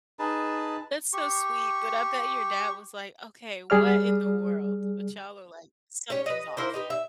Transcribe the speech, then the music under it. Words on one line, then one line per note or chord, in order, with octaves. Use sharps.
that's so, sweet, but, I bet your dad was like, "Okay, what in the world." but y'all are like, something's off
D#4 G#4 B4 A5
G4 C#6
G3 G#4 D5 F6
C#4 G4 C#5
B4 D#5
A#3 E4 C5
D#4 G4 B4
E5